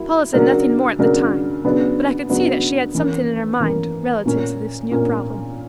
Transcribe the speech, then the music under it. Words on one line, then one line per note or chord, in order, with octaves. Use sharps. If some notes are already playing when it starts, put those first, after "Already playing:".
Paula said nothing more at the time, but I could see that she had something in her mind relative to this new problem.
Already playing: F#3 A#3 E4
C#3 F#3 A#3 D4 A#4
C#3 F#3 A#3 D4 A#4
C#3 F#3 B3 D4
C#3 F#3 B3 D4
E3 A#3 C#4
E3 A#3 C#4
A#2 A#3 C#4
A#2 A#3 C#4